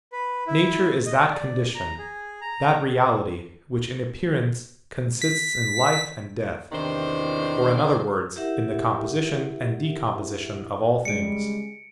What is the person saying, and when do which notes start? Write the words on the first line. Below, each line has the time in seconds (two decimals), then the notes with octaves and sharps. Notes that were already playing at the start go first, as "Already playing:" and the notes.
Nature is that condition, that reality, which in appearance consists in life and death, or, in other words, in the composition and decomposition of all things.
0.12 B4
0.47 E4
1.06 D#5
1.30 D5
1.75 A#5
1.98 G#4
2.41 A#5
5.22 B6
6.72 E2 C3 D#3 E3 D4 C5
8.36 E4 G4 A#4 E5 F#5
11.05 C#3 G3 G#3 C#7 D7